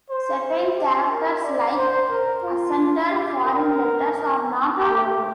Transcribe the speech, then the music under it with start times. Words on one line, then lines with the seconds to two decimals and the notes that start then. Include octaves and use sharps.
Certain characters, like accented foreign letters, are not allowed.
0.10 C5
0.77 G4
1.10 A#4
1.43 D5
1.77 C5
2.10 A#4
2.43 F4
3.10 G4
3.44 A#4
4.78 G4